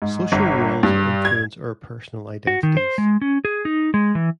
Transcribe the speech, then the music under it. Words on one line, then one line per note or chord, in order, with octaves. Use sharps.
Social roles influence our personal identities.
G#2
G1
G2
G#6
F#4
D#3
C5
G#3
C#4
G#4
D#4
G#3
E3